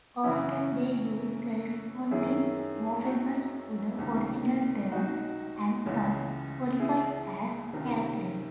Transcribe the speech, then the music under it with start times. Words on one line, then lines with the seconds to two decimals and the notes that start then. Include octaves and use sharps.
Often they use corresponding morphemes to the original term, and thus qualify as calques.
0.24 F#2 C#3 E3 C#4 E4
2.11 F#2 D#3 E4 G#4
3.05 D#4 F#4
3.98 C#2 C3 D#3
4.92 D#4 F#4
5.85 C#2 C#3 E3
6.79 E4 G#4
7.73 C#2 C3 D#3